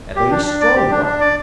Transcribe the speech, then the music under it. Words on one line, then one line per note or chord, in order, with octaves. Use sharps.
A very strong one.
G4
D4
D4
D5
G4
D4
D4
D5